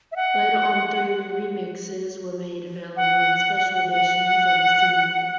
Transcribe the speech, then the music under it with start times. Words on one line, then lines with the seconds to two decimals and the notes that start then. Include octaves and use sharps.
Later on three remixes were made available in special editions of the single.
0.12 E5
0.16 F#5
2.97 F#5
3.89 F#5